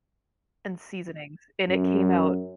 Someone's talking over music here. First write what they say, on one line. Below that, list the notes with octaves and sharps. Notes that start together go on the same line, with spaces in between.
and seasonings, and it came out
F#2